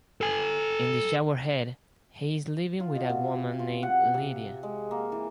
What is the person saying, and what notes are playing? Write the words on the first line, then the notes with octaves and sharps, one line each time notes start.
In "The Shower Head", he is living with a woman named Lydia.
A4 G#5
F4
B2
C3
F4
F#5
C3
G#3
A#3
E3